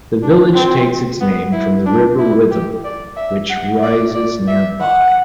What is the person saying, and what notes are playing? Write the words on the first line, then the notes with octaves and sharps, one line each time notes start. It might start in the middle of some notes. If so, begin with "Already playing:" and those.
The village takes its name from the River Witham which rises nearby.
D4
C4
B3
E4
D4
E4
G4
D5
E5
F#5
D5
D5
E5
F#5